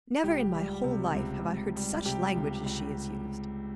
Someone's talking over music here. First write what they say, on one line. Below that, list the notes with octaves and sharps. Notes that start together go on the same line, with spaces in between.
Never in my whole life have I heard such language as she has used.
C#2 G4
G3
C3
C#2
C#2
G3
C3 G4
C#2
C#2